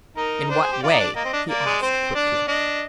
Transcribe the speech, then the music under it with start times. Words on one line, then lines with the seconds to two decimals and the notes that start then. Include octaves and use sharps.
"In what way?" he asked quickly.
0.17 D#4 A#4
0.50 D4 C5
0.61 G#4
0.72 G4
0.83 F4 D5
0.91 D#4
1.00 D4
1.16 A#3 D#5
1.25 C4
1.33 D4
1.48 A#3 D5
1.66 G#3
1.82 C4 C5
2.15 D4 D5
2.48 D4 D#5